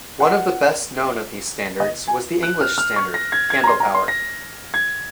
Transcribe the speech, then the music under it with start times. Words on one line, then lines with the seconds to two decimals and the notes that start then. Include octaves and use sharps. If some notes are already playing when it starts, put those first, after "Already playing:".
One of the best-known of these standards was the English standard: candlepower.
0.20 F#5
1.80 D#5
2.08 G#5
2.43 F#6
2.61 F6
2.78 F6
2.96 C#6
3.14 A#6
3.32 G#6
3.50 G#6
3.64 A#5
3.67 C6
3.80 A#5
3.95 C6
4.08 A#6
4.74 G#6